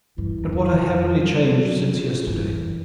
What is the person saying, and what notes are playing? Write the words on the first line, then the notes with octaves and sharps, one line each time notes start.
But what a heavenly change since yesterday!
G2 E3
E2
F2
F3
G3
F#3
F3
F2 E3